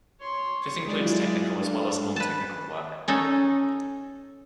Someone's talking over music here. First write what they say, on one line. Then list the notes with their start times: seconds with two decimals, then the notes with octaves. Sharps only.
This includes technical as well as non-technical work.
0.20 C#5 C6
0.84 F#3 G#3 E4 F4 D5
1.52 D4 A4 F5
2.16 B4 A5
3.08 C#4 D#4 A4